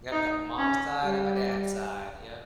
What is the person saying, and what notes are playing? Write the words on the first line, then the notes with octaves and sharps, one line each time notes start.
Yeah, I've got my mom's side and my dad's side, yep.
D#4
C#4
G3